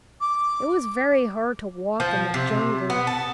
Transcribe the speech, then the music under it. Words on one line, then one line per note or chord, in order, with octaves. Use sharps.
It was very hard to walk in the jungle.
D6
F3
C3
B3
A4